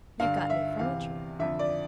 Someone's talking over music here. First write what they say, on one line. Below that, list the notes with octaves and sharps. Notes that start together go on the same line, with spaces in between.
'You've got new furniture.'
G2 D3 F5
F5
E5
E2 C3 E3 F5
F2 D3 E5
D5